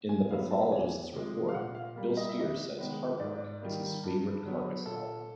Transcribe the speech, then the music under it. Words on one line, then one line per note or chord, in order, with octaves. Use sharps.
In "The Pathologist's Report," Bill Steer says "Heartwork" is his favourite Carcass album.
G#5
F#3 B3 F5
A5
E2 G#5
C3 F3 G#3
F5
A#2 F#5
F5
G3 A#3
D#5
E5
C3 D#5
D#3 G#3 B3
G#2 D5
D#3 G3 A#3
G2
D3 F#3 B3
A#2 A4